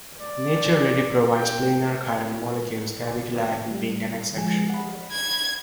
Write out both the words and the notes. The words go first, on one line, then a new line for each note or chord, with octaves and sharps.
Nature rarely provides planar chiral molecules, cavicularin being an exception.
D5
G5
G3
F3 G#3 G#5
F#5 B5
G#6